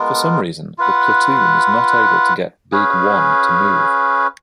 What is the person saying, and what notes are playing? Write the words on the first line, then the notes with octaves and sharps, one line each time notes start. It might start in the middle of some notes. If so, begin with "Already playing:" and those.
For some reason, the Platoon is not able to get Big One to move.
Already playing: G#3 B3 F4 A#4
F4 B4 F#5
C#4 G#4 B4 F5